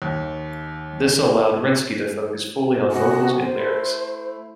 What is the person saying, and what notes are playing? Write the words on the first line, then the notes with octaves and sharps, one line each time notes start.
This allowed Renkse to focus fully on vocals and lyrics.
D#2
C3 B3 C#4 F#4
C5
A3 E4